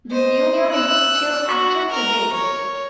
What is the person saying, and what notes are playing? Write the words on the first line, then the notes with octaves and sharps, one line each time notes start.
This union is still active today.
C5 D#5
E6 F#6
F#4
A#4
C#5